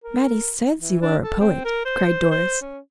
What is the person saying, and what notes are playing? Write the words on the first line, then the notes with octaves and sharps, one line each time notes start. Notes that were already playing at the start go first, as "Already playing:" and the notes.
"Mattie says you are a poet!" cried Doris.
A#4
E3
D4
A4
C4
A#4
C5
C5
C#4